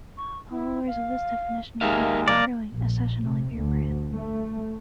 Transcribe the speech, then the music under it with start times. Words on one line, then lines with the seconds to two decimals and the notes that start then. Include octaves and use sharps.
Followers of this definition include Notch Brewing, a session only beer brand.
0.17 C#6
0.51 E4
0.87 F5
1.81 D#2 G#3 A#4 E5 F5
2.28 C2 F2 A#3 D5
2.72 A#1
3.22 C3
3.57 D2
4.12 A3